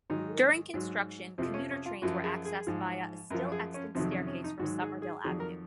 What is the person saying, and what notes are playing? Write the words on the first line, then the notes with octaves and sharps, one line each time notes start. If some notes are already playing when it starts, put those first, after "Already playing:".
During construction, commuter trains were accessed via a still-extant staircase from Somerville Avenue.
G#2 D#3 F#3 D#4
G#2 F#3
F2 C3 F3 C4
C#4
C#4
F4
F#2 F3 F#4
G#4
G#4
G#2 F3
F#2 F3 A#4
G#4
C#4
F2 C3 D#3 F#3 C4
C#4
C#4
D#4
G#2 D#3 F#3 F#4
G#4
G#4
F2 D#3 F#3 G#4
A#4